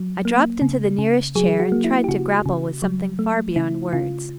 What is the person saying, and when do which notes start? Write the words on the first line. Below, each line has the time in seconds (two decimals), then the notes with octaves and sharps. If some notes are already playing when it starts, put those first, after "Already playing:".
I dropped into the nearest chair and tried to grapple with something far beyond words.
Already playing: F#3
0.25 A#3
0.62 C#3
0.98 C#3
1.35 F#3 G#4
1.60 F#4
1.72 A#3
1.84 E4
2.04 G4
2.08 C#3 F#4
2.46 C#3
2.82 F#3
3.19 A3
3.56 C#3 E4
3.93 C#3 F4